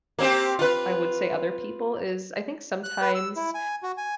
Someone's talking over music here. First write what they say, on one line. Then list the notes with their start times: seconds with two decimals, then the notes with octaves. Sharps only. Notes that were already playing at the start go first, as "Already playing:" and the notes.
I would say other people is I think sometimes
0.19 A#3 C4 G4
0.59 F4 B4
2.84 F#6
3.02 B4
3.15 E6
3.36 E4
3.55 G#5
3.83 F#4
3.97 G#5